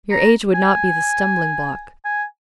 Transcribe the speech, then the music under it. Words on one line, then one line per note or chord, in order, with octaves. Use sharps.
"Your age would not be the stumbling block."
A#5
G#5
G#5